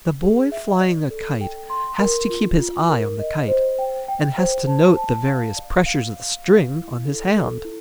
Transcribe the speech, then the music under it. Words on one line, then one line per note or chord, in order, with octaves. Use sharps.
The boy flying a kite has to keep his eye on the kite, and has to note the various pressures of the string on his hand.
G#4
E5
D5
A4
G5
C6
A#4
F4
F4
A#4
D#5
C5
G5
G5
C5
A5
A5
F5
D5
F5
F5
F5
E4
A4
A4
E4